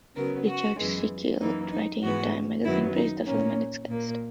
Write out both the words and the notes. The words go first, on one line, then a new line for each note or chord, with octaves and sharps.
Richard Schickel, writing in "Time" magazine praised the film and its cast.
C#3 F#3 B3 A#4
F#4
F#2 E3 G#3 B3
F#2 E3 A#3 D#4
D#4
G#2 E3 G#3 B3 F#4
F#2 D#3 F#3 B3 E4
D#4
A#2 A#3 C#4
A#2 A#3